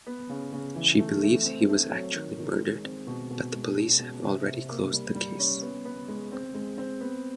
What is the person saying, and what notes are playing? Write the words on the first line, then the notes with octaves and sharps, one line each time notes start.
She believes he was actually murdered, but the police have already closed the case.
B3
C#3
C#3
E3
A3
A3
C4
A3
F#3
D#3
D#3
G#3
C4
B2
B2
G#3
C#4
B2
C3
C3
A#3
G3
G3
C#4
B3
B3
G#3
C4
G#3
C4
B3